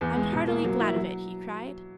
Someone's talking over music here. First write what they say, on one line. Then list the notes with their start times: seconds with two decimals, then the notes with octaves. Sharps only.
"I am heartily glad of it," he cried.
0.01 E2
0.16 G#3
0.32 B2
0.47 A#3
0.65 F#3
0.80 E4
0.96 F#3